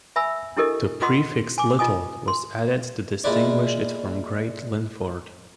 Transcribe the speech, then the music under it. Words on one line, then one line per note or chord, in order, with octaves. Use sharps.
The prefix 'Little' was added to distinguish it from Great Linford.
E5 G#5 B5 E6
D4 E4 G4 A4 A#4 D#5
F4 D#5 F#5 C6
G#5 D6
F4 D#5 G#5 D#6
C6
A#2 G#3 E4 B4 D5